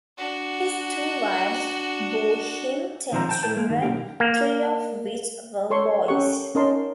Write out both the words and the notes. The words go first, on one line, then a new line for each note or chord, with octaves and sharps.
His two wives bore him ten children, three of which were boys.
D4 F#4
A#2 D#3 F3 C4 C5 A#5
G5 A5
A2 G5 A5
G#3 A#3
G2 D#3
B1 G2 A#3 G4
A#3
A4 C#5 C6 C#6
C#4 G4 A4 A#4 F#5 C#6
C#4 D#4 A#4 D#5 A5 C6